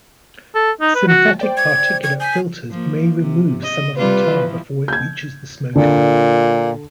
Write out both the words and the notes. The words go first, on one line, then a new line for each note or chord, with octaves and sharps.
Synthetic particulate filters may remove some of the tar before it reaches the smoker.
A4
D#4
B4
F#4
C5 D5 G5
G#6
G#6
G#5 G6 B6
F3 A#3
C3
D#5
C3 G3 F4 B4
E3 F3
G6 G#6
A#2 D3